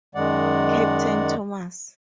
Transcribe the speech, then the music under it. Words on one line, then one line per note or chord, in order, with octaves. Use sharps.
Captain Thomas?
F#2 D#3 G#3 D5 F#5